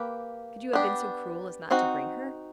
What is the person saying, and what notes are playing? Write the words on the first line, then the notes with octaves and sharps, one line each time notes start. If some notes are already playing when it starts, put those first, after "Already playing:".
"Could you have been so cruel as not to bring her?"
Already playing: A#3 G4 B4
B3 D4 G4
C4 D#4 F#4